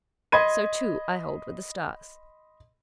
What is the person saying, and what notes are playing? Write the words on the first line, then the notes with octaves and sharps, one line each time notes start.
So, too, I hold, with the stars.
D#5 B5 C6 G#6 D#7